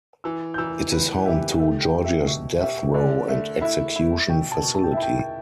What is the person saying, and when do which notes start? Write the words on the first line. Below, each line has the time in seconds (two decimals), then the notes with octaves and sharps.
It is home to Georgia's death row and execution facility.
0.24 E3 E6
0.54 G6
0.58 E3 E6
0.92 B4
1.26 G4 E5
1.59 A3 E5
1.82 G5
1.93 G4
2.04 E5
2.27 B2 E5
2.60 G4 E5
2.94 D3 D5
3.28 A3 E5
3.61 E4 E5
3.96 E4
4.29 B2 G5
4.52 A5
4.63 B2
4.75 A5
4.84 G5
4.93 E4 E5
5.03 G5